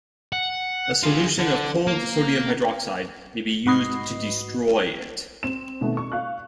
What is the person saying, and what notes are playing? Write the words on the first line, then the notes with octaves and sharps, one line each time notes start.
A solution of cold sodium hydroxide may be used to destroy it.
F#5
G#3 F4
D3
A#3
G#2 F#4 B4 D#5 C7
C4 E7
B2 D#3 A3 B3 C4
C#6
F5 C#6 F#6